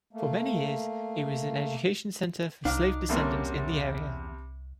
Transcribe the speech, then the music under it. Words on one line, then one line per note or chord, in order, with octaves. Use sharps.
For many years, it was an education center for slave descendants in the area.
A3 A#3
C2 D4 D#4 F5
E2 C3 G3 A#3 C#4 D4